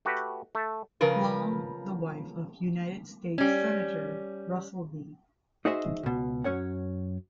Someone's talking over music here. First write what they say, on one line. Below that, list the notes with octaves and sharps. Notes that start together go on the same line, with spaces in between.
Long, the wife of United States Senator Russell B.
A3 F#4 G4 B4
A3 A5
C#3 F3 A#4 B4
G3 C#4
D#4 F#4 G#4 C5 D#5 E5
C#2 B2
F#2 C#4 C#5 F#5